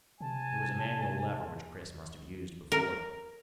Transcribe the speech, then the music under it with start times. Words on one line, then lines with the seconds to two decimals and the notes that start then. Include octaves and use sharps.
There was a manual lever, which Chris must have used before.
0.21 C3 G#5 A5
2.72 A#4